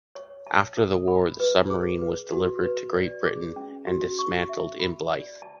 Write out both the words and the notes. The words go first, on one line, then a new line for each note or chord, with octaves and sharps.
After the war, the submarine was delivered to Great Britain and dismantled in Blyth.
C#5
A5
A4
B5
B4
G#4
B4
F#4
B4
D5
G#4
C#4
F#4
C#6
E5
B5
D5
A5